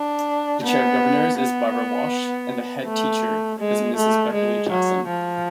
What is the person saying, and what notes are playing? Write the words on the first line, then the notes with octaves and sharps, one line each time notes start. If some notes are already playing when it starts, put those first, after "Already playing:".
The Chair of Governors is Barbara Walsh and the Headteacher is Mrs Beverley Jackson.
Already playing: D4
B3
B3
A3
G#3
A3
G#3
F#3
F3